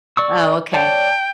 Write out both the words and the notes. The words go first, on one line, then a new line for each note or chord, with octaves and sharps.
Oh, okay.
D5 C#6 E6
C#5 D5 G5 A5